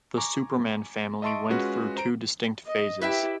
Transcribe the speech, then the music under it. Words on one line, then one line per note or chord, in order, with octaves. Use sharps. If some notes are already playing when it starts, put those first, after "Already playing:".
"The Superman Family" went through two distinct phases.
G#5 A#5 C#6 D6
D#5 E5 A5 C6 C#6 D7
G#3 C#4 F4 F#4 B4
C5 A#5 D7
D#5
E4 G4 B4 E5 G5